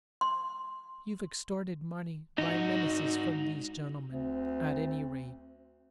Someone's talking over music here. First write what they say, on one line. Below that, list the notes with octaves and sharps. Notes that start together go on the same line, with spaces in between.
"You've extorted money by menaces from these gentlemen, at any rate."
C6
G#2 D#4 F#4
D2 C4